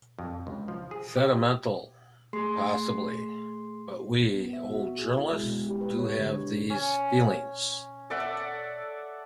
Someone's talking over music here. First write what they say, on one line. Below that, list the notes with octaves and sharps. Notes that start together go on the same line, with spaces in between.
Sentimental, possibly, but we old journalists do have these feelings.
F2
C#2
F3
G#4
G4
A3 G#4 C6 C7
B3
E5
F#4
G#4
E4
G#3
B2
G4
B4
C#5
D3
C#4
A4 D5 E5 F#5